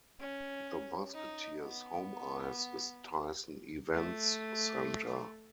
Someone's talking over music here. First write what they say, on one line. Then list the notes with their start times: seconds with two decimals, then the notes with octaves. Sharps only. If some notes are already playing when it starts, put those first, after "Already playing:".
The Musketeers' home ice is Tyson Events Center.
0.20 C#4
1.14 D#4
1.60 B3
3.94 A3